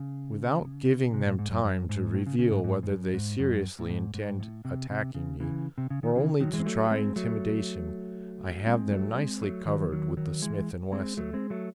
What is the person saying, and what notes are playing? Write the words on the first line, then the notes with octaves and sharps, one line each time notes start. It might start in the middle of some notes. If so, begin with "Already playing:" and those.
Without giving them time to reveal whether they seriously intend attacking me, or only to try intimidation, I have them nicely covered with the Smith & Wesson.
Already playing: C#3
C3
A2
G#2
F#2
F#2
G#2
A2
C#3
C#3
G#2
G#2
G#2
F#2
G#2
F#2
A2
G#2
G#2
A2
C3
C3
C#3
C#3 E3
C3
C#3
D#3
C#3 E3
D#3 F#3
E3 G#3
C4
F#3 A3
G#3 C4
F#3 A3
G#3 C4
F#3 A3
G#3 C4
F#3 A3
D#3 F#3
D#3 F#3
D#3 F#3
E3 G#3
G#3 C4
F#3 A3
G#3 C4
F#3 A3